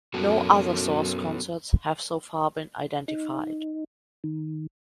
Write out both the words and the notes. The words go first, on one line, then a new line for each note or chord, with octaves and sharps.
No other source concerts have so far been identified.
F#2 B3 F#4 A4
D#4
D#3